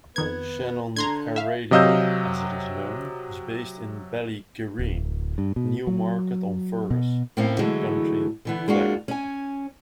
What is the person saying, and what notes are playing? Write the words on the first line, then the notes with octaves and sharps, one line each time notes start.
Shannon Aeradio, as it is known, is based in Ballygirreen, Newmarket-on-Fergus, County Clare.
F2 D#3 B3 G#6
D3 A#5 C6 G#6
E5 F5
C3 F#3 D#5 F5 E6 G6
D1
G2
B2
F#3
B2
A2 A#3 C4 C#4 E4
D3 E3 F#3 G#3 A3
D3 E3 B3
G#3 A#3 D4 F4 F#4
C#4 G#5